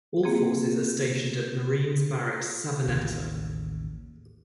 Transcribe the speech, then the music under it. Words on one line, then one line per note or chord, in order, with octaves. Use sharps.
All forces are stationed at Marines Barracks Savaneta.
A#3 C4 G4 G#4
A1 D#2 A2 C#3